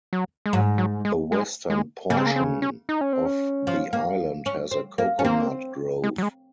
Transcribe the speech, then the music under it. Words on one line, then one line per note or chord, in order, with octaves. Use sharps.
The western portion of the island has a coconut grove.
F#3
G#3
G#2 F#3
F#3
G#3
G#3
G#3
C#3 A#3
C4
A#3
C4
C#4
D#4
C#4
C4
C#4
F3
A#3
C#4
C4
A#3
C#4
A#3 C4
G#3
F#3
G#3